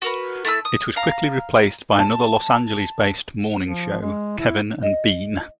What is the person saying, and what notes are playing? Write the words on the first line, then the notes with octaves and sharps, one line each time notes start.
It was quickly replaced by another Los Angeles-based morning show, Kevin and Bean.
F#4 A#4 B4
A3 E4 A#5 E6
D#6
F5 A#5
A5
F3
G#3
E4
D#5